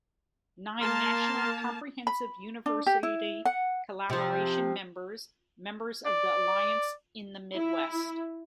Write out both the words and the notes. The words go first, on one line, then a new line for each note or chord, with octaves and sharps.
"Nine national comprehensive university collaboration members, members of the alliance in the Midwest".
A#3 A#4 A5 C6 F6
B5
D4
G4
E4
F#5
C3 F3
D5
E4